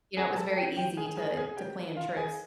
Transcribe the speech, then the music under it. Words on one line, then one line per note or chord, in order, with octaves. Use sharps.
you know, it was very easy to to plan trips
G#4 G#5
A4 A5
G4 G5
G4 G5
G#4 G#5
G#4 G#5
G#4 G#5
G4 G5
F4 F5
G#4 G#5